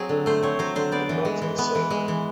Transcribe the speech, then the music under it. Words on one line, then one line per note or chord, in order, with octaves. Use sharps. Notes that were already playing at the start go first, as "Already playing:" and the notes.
It makes me sick.
Already playing: F#3 C4 G#4
D3
A3 C5
C4 C#5
F#3 C5
D3 C5
B3 D5
E3
G#3
E3
B3
E3
G#3
E3